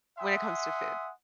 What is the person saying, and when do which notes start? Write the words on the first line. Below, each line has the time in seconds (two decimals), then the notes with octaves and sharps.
when it comes to food.
0.18 E5 F#5 G#5 C6 D#6